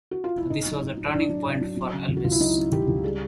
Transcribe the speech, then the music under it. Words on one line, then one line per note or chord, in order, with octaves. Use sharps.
This was a turning point for Elvis.
F#4
F4
E4
A2 D#4
F#3
A2
F#3
A2 D4
F#3
A2
F#3
F#3
C#3
C#2
F#4
C#2 F4
E4
F#3 D#4
C#3
C#2 G4
C#2
G3 G#4